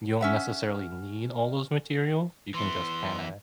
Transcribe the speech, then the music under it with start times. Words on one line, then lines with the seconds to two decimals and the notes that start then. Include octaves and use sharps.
you don't necessarily need all those materials, you can just kinda
0.21 C#4 E5 F#5
2.54 E3 B3 C6